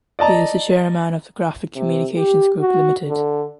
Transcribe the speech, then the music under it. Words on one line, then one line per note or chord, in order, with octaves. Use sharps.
He is the Chairman of the Graphic Communications Group Limited.
D5 D#5 A5 A#5
C3
G4
F#4
D3